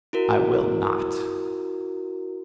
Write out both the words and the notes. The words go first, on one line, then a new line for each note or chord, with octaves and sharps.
"I will not."
E4 F#4 A#4